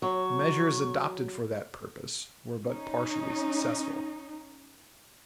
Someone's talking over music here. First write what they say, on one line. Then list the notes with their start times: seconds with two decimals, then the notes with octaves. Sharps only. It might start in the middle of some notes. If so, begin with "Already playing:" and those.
The measures adopted for that purpose were but partially successful.
0.02 F#3 C#6
2.64 C#4 D#4